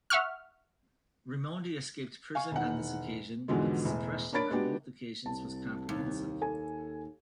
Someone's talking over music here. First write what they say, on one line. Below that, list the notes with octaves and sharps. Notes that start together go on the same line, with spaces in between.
Raimondi escaped prison on this occasion, but the suppression on both occasions was comprehensive.
E5 F#5 C#6 F6
F5 G#5 C#6
E1 D#3 F#5
E2 G#2 B2 D3 F3 G#3
E1 A2
D4 A#4 C#5 B5 A6 D7
G#3 B3 D4 F#4 G4
C2 A5
D#2
A4 G#5